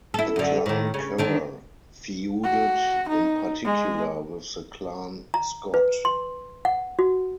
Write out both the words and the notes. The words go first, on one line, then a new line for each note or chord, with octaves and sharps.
The Clan Kerr feuded in particular with the Clan Scott.
E4 A4
F#2 D3
A2 D#3
C#3
D3 D#3 D4
F#4
D#4
G#3
A#5
B4
C6
F#5
F#4